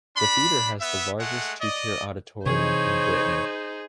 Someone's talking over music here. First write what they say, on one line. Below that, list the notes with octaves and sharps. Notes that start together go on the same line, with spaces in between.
The theatre has the largest two-tier auditorium in Britain.
D4 B5
B3 E5
G#3 A3 F#5
D5 D#5
C3 E3 D#4 G#4 C5 C#5